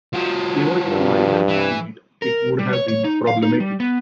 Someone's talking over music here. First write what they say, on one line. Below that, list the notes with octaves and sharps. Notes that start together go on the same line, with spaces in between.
Even in a milder climate, it would have been problematic.
F3 F#4
G2
E3
A#4
G3
C#5
C#5
D#4
F5
D#4
G3
B3